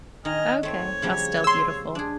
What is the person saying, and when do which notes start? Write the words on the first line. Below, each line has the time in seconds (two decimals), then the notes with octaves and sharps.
Okay. Well, still beautiful.
0.25 D#3 D#4 D#5 G#5 F6
0.63 A3 C4 C#5
1.02 C#3 F3 G3
1.44 C6 E6
1.95 D4 G#4